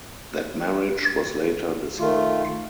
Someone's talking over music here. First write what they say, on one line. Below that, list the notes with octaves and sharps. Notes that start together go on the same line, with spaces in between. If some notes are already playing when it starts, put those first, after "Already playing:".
That marriage was later dissolved.
D#3 A3 F4